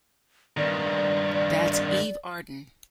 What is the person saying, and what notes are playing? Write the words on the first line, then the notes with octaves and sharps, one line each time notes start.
That's Eve Arden.
G2 D#3 D5